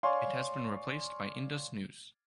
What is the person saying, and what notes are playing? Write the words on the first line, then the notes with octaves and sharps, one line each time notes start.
It has been replaced by Indus News.
C#5 D5 F5 G#5 C6 C#6